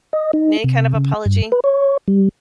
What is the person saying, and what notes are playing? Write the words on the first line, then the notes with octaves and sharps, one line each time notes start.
in any kind of apology?
D#5
D#4
C3
C#3
G2
B4
C#5
G3